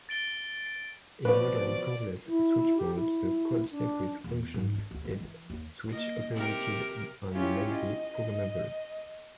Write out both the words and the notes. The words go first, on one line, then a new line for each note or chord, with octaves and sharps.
In modern cordless switchboards, the cord-circuit function is switch operated and may be programmable.
A6 D7 G7
B2 F3 B3 B4 D5
E4
G4
E4
D4
E2
G#2
D4
D2
G#3
E3
D#2
A#3 D#5
C3 G4 A#4
C#4 E4 F4 G4 C#5
D#5